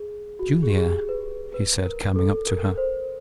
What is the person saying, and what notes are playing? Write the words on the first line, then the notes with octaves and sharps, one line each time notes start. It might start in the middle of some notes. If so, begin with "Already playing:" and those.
"Julia," he said, coming up to her.
Already playing: G#4
F#4
G#4
G4
G#4
B4
B4
A#4
A4
A#4
C5